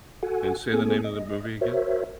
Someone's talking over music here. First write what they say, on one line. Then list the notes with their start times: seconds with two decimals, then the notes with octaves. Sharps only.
And say the name of the movie again.
0.23 F#4 A4 F#5 G#5
0.72 A#3 C4 G#4 A4 G#5
1.04 D#5
1.61 F#4 A#4 C5 C#5 E5